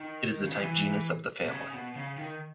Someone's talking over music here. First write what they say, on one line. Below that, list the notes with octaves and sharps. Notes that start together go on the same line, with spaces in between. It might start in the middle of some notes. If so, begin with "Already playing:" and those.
It is the type genus of the family.
Already playing: D#3
C#3
D#3
E3
B2
C#3
B2
C#3
D#3